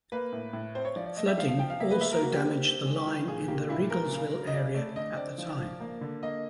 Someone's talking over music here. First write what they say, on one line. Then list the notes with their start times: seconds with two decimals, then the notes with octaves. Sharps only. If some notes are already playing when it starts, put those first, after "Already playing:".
Flooding also damaged the line in the Riegelsville area at the time.
0.12 A#3 B4
0.32 A2
0.53 A2
0.75 C4 C5
0.85 C#5
0.96 F3 D5
1.06 D5
1.17 A3 D#5
1.28 E5
1.38 F3 F5
1.49 F5
1.58 F3 G5
1.70 F5
1.80 A#3 E5
1.91 B4
2.01 A#3 E5
2.12 A#4
2.22 A#3 F#4
2.33 G4
2.43 C4
2.64 C4
2.85 G#3
3.07 E3
3.28 A#2 G#4
3.48 A#3 G4
3.69 A#2 E4
3.90 A#2 A#4
4.11 C#3
4.33 F#3
4.47 D#5
4.54 C#3 D5
4.74 A3 D5
4.96 D3 D#5
5.16 C4 D5
5.38 F3
5.59 F3
5.80 A#3
6.01 D3
6.23 A#3 D#5